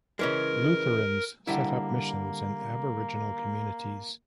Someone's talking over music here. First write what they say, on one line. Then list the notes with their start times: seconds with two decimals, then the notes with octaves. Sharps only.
Lutherans set up missions in Aboriginal communities.
0.19 C#3 E3 G#3 A#4
1.47 D3 G3 A#3 E4